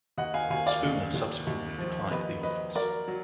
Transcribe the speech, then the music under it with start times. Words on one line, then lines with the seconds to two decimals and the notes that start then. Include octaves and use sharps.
Spooner subsequently declined the office.
0.18 D#2 D#5 F#5
0.34 F5 G#5
0.50 D#2 F5 G#5
0.67 D5 F5
0.82 D#2
1.15 D#2
1.47 D#2
1.78 F3
2.11 D#2 B4 D#5
2.43 F3 B4 D#5
2.75 F#3 A#4 D5
3.08 F#3